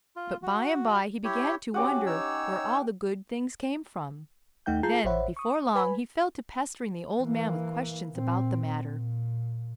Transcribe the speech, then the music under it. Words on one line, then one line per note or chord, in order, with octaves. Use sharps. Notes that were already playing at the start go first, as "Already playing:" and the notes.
But by-and-by he began to wonder where all the good things came from. Then, before long, he fell to pestering the old man with questions about the matter.
F4
F#4
E4 G4 C#5
C#4 F#4 G4 F#5
D#4 C#5 E6
D#2 A3 D#4 F#5 G5 G6
F4 G#4 A5 A#5 G6 C7
A1 C5 C#5 E5 F#5 B5
C#6 D#6
B4 G#5 B5
E3 A#3
A#2 C4
A#2